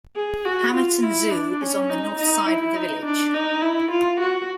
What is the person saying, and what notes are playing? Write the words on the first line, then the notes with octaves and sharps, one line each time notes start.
Hamerton Zoo is on the north side of the village.
G#4
F#4
F4
E4
D4
C#4
D#4
D#4
E4
D#4
D4
D#4
E4
F4
F#4